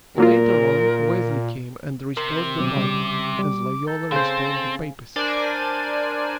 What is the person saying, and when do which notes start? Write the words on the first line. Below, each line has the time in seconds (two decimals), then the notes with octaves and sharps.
Later on Wesley came and restored the Bible, as Loyola restored the papacy.
0.18 A#2 F#3 A#3 F4 A#4
2.17 C3 A#4
2.59 B2 F#3 C4 D6
2.75 C#3 G3
3.39 G3
3.87 A4 A#5 G6
4.12 C#3 C4 C5
5.16 D4 A#4 C5 D5 G#5